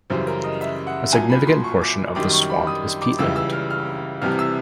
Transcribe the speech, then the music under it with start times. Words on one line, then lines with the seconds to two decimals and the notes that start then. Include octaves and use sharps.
A significant portion of the swamp is peatland.
0.10 F#2 C#3 E3 G3 C5
0.27 A#4
0.44 D#5
0.61 E5
0.87 F#5
1.13 C2 A#2 F#3 G#5
1.30 B5
1.47 C6
1.64 C#6
1.82 D6
2.15 F#2 D#3 G3 D6
2.33 C#6
2.50 B5
2.67 D#6
3.01 D6
3.19 C#2 C#3 E3 G3 E6
3.36 E6
3.53 F6
3.70 F6
4.22 C2 C3 E3 G3 F6
4.39 E6